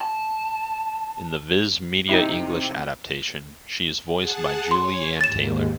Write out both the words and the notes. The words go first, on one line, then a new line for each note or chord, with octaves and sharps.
In the Viz Media English adaptation, she is voiced by Julie Ann Taylor.
A5
C3 D#4 E4
G#4 F#5 A5
C#5 G#5 C6
D#2 G#2 A6 E7